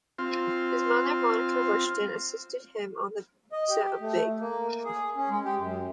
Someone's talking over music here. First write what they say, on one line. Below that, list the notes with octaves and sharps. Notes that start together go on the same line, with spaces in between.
His mother, Monica Rushton, assisted him on the set of "Big".
C4 F4
D#5
G4
A3
A#3
G#4
C#4
G#3
G4
F#2